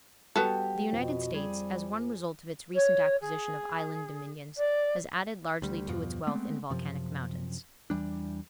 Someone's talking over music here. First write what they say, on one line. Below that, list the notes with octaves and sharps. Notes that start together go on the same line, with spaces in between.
The United States, as one result of its recent acquisition of island dominions, has added largely to its wealth in volcanic mountains.
G3 B3 F#4 G4 A4
F2 B2
G3 G#4
C#5
G#4
D5
D2 G3
E2 G2 B2 F3
G#3 A3 B3 C4
F#2 C3 F3
E2 E3 G3 D4